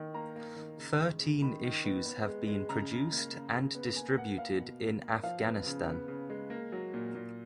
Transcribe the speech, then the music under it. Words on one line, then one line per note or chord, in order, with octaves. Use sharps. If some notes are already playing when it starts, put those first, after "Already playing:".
Thirteen issues have been produced and distributed in Afghanistan.
Already playing: D#3
A#3 A#5
A#3
D#3
C#3
G#3
C#3
D#3 B5
D#3
B3
B3
G#3
G#3
C#3 A#5
C#3
A#3
C#3
C#3
B3
A#3 G#5
A#3 F#5
A#3 F5
B2
A#3
A#3
F3 F5
B3
C#3
B3
C#3
G#3
A#3
F#3
A#2
A#2